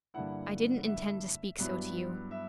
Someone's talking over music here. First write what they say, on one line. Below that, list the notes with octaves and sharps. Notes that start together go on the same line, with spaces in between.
'I didn't intend to speak so to you.
G2 D3 A#3 E4 F#5
E5
G2 F#3 B3 E4
E5